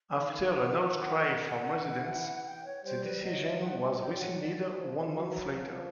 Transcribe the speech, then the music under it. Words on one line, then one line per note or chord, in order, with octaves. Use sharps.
After an outcry from residents, the decision was rescinded one month later.
D#3 F5
F#5
E3
G5
C#5
G3 C5
B4
F#3 D#5
E5
G3 F#5
G#5
F#3 G5
F#5
D5
F3
F#3
F3